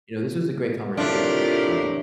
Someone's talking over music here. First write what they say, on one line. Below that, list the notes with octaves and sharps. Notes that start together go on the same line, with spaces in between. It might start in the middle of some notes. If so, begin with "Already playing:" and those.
you know, this was a great conversation, um,
A2 C3 D4 F4 G4 A#4